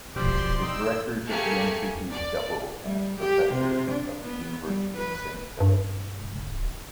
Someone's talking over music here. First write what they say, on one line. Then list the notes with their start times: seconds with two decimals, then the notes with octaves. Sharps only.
The directors of the institutes double as professors of the University of Saint Gallen.
0.16 B2 F3 G4 C5 D5 C6
0.61 D#4 G5 E6
1.27 A3 A#3 G4 G#4 G#5 C#7
2.11 D5
2.84 G3
3.20 G4
3.53 C3
3.91 D4
4.23 B3
4.66 G3
4.97 B4
5.60 G2